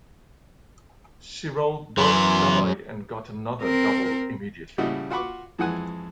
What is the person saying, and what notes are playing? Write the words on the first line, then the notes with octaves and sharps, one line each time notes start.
She rolled both die and got another double immediately.
F#2 E3 B3 C6
C4 A#4
A2 C#3 G3 E4 F#4 D#5
F4 F#4 F#5 B5 C#6 D6
F2 E3 G#3 F#5 G#5